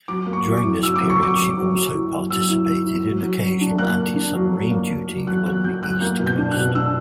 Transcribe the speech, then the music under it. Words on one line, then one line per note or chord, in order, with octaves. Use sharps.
During this period, she also participated in occasional anti-submarine duty along the East coast.
F#3 D6
A#3
C#6
F#3
D6
E4
F#3 E6
F#3 D6
C#6
F#3 D6
F#3
F#3
F#3
E4
F#3
F#3 E6
E4
F#3
E4
F#3
F#3
F#3
D4
A#3 F#6
A#3
D4
F#3
F#3
A#3
F#3
F#3
F#3 F#6
F#3 F#6
F#3 G6
F#3 F#6
A#3 G6
B2
G6
D4
F#6
B2
D4 E6